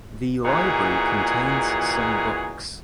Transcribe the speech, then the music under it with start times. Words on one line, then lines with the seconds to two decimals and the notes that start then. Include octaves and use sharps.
The library contains some books.
0.44 A#2 E3 D#4 F#4 G#4